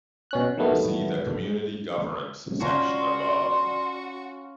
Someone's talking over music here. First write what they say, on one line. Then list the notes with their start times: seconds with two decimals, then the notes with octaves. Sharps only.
See the "Community governance" section, above.
0.31 B2 C#4 F#6
0.57 D#3 F#3 G3 A3 B3
2.60 C#4 F4 F#4 D5 A#5 C6